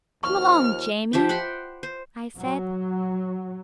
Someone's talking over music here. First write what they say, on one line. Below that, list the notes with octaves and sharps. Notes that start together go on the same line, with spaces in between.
"Come along, Jamie," I said.
D#2 F3 C#6 F6
F3 G4 E5 G5
F#5 G5 B5 C6
C5
F#3